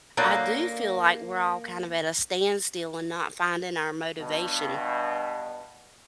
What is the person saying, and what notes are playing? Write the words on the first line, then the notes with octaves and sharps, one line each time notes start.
I do feel like we're all kind of at a standstill, and not finding our motivation,
D3 F#3 G3 A#3
G2 B2